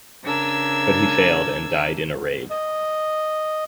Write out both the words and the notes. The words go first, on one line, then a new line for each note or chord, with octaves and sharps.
But he failed and died in a raid.
C#3 D4 A#4 E6 G#6
D#5